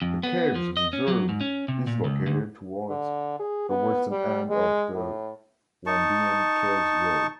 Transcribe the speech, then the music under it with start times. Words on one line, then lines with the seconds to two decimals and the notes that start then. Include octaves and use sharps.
The caves reserve is located towards the western end of the Wombeyan Caves Road.
0.02 F2
0.23 B3
0.55 F3
0.77 D#5
0.93 C#4
1.08 F#3
1.29 G#2
1.41 C#4
1.68 C3
1.87 A#2
2.04 C#2
2.27 D2
2.90 D3
3.39 G#4
3.69 B3
4.11 G3
4.49 G#3
4.95 A2
5.86 D#4 A5 C#6